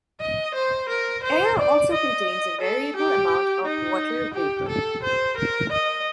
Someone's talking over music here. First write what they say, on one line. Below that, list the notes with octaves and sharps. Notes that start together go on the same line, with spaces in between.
Air also contains a variable amount of water vapor.
D#5
C5
A#4
C5
D5
D#5
A4
G4
D#4
G4
A4
C5
A#4
D#5